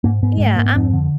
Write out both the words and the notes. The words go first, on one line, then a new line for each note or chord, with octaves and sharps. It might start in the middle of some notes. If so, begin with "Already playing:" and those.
Yeah, I'm
G#2 A#3
G#2 B3
G#2 G#3
A3
G#2 A#3
B3
F2 C4
D3